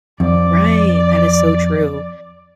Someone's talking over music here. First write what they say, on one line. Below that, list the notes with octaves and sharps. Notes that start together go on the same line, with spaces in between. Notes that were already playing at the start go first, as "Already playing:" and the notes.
Right, that is so true.
F2 D5